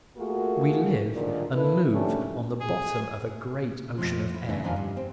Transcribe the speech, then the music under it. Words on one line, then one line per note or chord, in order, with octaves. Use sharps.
We live and move on the bottom of a great ocean of air.
A3 A#3 F4 F#4 G#4 A#4
D#2 A#2 D3 D#3 F3 D#4
A#3 E4 A4 B4
A#2 D#3 A3 C#4 D4 G4
G#4
F2 A2 F3
E4
C#3 E3 A3 B3 D#4 E4
F2 A#2 D#3 D4 F5 G#5
G2
C4